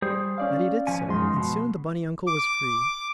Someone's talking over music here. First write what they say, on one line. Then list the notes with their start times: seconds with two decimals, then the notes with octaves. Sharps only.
Neddie did so, and soon the bunny uncle was free.
0.02 G3 G#4 C5
0.38 C#4 D5 F5
0.87 F3 C#4 G#5
1.08 F#2 D#3 F3 G#3 C6
1.36 B2
2.27 D6